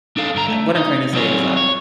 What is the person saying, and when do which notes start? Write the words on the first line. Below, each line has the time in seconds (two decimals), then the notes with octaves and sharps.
Uh, what I'm tryna say is that
0.17 D4 D#4 A4 F5
0.34 G2 D3 A#5
0.48 A3
0.76 D#4
1.13 F#3 G3 C4 F4 G#4 C#5
1.57 C#5